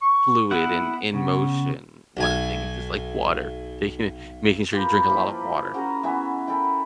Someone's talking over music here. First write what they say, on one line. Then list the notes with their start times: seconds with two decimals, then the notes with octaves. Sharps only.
fluid and in motion. One of the things is, like water. Taking in making sure you drink a lot of water.
0.02 C#6
0.51 B3 E4 F#5
1.13 C#3 B3
2.17 B1 G#5
4.73 F4 G4 A#4 B4
5.08 F3 A#3 E4 B4
5.74 C#4 F#4 G#4 A#5
6.03 E3 B3 E5 G#5
6.47 A4 A#4 G5 B5